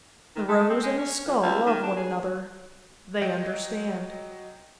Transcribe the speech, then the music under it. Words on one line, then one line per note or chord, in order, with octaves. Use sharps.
The rose and the skull love one another. They understand.
D#3
A3
C4
G#3
C#4
F2
C#2
D#3
D4
G#4
F#3 D#5 G5 G6